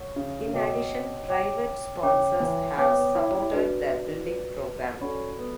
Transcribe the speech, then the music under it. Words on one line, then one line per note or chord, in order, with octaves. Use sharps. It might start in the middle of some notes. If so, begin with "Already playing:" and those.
In addition private sponsors have supported the building program.
Already playing: C#5 F#5 C#6
C#3
C#3
B2 C#5 G5 D6
C#5 G5 D6
C#3 C#5 G5 D6
E3
B3 C#5 G5 D6
B3
E4
E4
D4 F#4 B4 D5
F#4 B4 D5
C#4 F#4 A4 D5 F#5 B5
B3